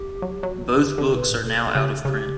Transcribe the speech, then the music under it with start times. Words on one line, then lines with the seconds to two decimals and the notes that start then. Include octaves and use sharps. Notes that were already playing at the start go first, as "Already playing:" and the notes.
Both books are now out of print.
Already playing: G4
0.22 F#3
0.43 F#3
0.63 E3
0.83 D3 G4
0.98 D3
1.14 B2 B4
1.30 A2
1.44 B2 A4
1.74 C#3 G4
2.05 C#3 G4